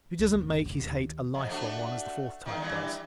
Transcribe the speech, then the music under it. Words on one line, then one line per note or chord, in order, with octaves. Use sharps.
But he does not make his hate a life-long one, as the fourth type does.
D2
F#1
C#3
D#2
F2
A3 D4 F#4
E2 D#3
G2 E3